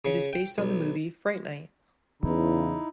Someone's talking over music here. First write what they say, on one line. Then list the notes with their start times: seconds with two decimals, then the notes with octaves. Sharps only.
It is based on the movie "Fright Night".
0.05 C#3
0.33 G5
0.58 B1
2.22 E2 C#3 D#4 E4